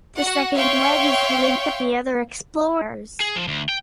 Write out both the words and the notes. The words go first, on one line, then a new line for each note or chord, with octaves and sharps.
The second leg is to link up the other explorers.
F#4 F#5
C#5 E5 F5 G5 C6 C#6
G#4
F3
D2
G5